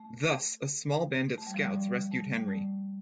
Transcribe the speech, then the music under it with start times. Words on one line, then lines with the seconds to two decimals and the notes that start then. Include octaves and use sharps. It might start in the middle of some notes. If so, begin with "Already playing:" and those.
Thus a small band of scouts rescued Henry.
Already playing: A3
1.38 A3
1.47 G3
1.54 F3
1.63 G3
2.11 A3
2.38 G3
2.48 A3